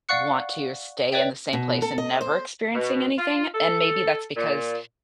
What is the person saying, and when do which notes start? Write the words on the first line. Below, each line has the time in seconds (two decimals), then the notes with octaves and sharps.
want to stay in the same place and never experiencing anything, and maybe that's because
0.09 D5 F5 F#5 C#6 F#6 C#7
1.12 B4 C#5 D5 E5 G5
1.53 B2
1.82 A4
1.98 D#5
2.21 C5
2.74 B2
3.18 F4
3.54 A4
4.37 A#2